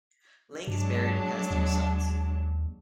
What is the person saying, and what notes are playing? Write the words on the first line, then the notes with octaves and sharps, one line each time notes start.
Ling is married and has three sons.
G2 F#3 G#3 D4
D#2